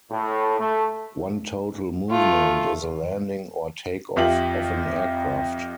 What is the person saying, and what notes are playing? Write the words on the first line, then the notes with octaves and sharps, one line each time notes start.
One total movement is a landing or takeoff of an aircraft.
A2
A3
A3 F4
F2 F4 G4 E5 F#7